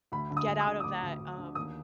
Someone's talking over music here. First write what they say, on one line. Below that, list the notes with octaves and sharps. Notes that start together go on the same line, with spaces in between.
get out of that, um,
D2 B5
D3
D#6
D2
D#6
D3
D#6
D2 D6
D2
D2
D3
D#2 D#6